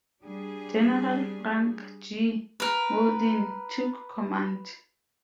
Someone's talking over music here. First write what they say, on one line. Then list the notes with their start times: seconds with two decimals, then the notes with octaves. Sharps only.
General Frank G. Mauldin took command.
0.21 G3 D4 G#4
2.60 A#4 B4